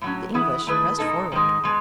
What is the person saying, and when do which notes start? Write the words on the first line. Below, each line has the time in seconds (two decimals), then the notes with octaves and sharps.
The English pressed forward.
0.01 A2 F#3 C#4
0.34 E3 B3 E4 G#4
0.67 D#3 A3 E4 G#4 B4
0.98 B2 G#3 D#4 A4
1.32 G#2 D#3 G#3
1.64 B2 G#3